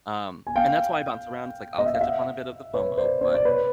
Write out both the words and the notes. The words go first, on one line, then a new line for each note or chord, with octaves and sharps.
Um, and that's why I bounce around, it's like I'll catch up on a bit of the FOMO, but
G#5
F5 G5
D#5
E5
F5
E5 F#5
B4 C#5
C5 D5
C5 D5
D5
B4 C#5